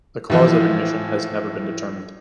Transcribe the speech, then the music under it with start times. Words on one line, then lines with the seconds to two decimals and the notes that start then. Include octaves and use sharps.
The cause of ignition has never been determined.
0.30 A2 E3 F3